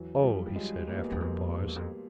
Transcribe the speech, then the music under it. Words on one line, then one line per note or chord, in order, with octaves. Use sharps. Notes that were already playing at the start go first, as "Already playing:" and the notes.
"Oh!" he said after a pause.
Already playing: E2 E3 F#3
F3 G3
G3
F#3 G#3
A#3
B3
G#3 A#3
E2
F2
E2
F2